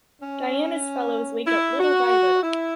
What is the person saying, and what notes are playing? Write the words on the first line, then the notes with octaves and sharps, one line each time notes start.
Diana’s fellows wake up little by little.
C#4
E4
F#4
E4